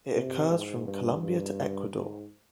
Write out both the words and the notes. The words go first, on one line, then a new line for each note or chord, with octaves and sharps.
It occurs from Colombia to Ecuador.
C3
G#2
G2
G2
G#2